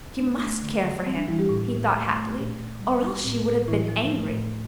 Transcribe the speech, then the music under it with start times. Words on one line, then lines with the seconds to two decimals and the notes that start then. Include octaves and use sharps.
She must care for him, he thought happily, or else she would have been angry.
0.19 A3 D4
0.40 A3
0.62 D3
0.84 D3
1.05 G3 C4
1.17 D4
1.28 E3 G3 E4
1.39 G3 G4
1.49 A2
1.71 A2
1.93 A3
2.15 A3
2.36 A#2
2.58 A#2
2.80 G3
3.01 G3
3.24 A2 C4
3.46 A2
3.68 A2 E3 E4
3.88 F3
4.11 A3
4.32 A2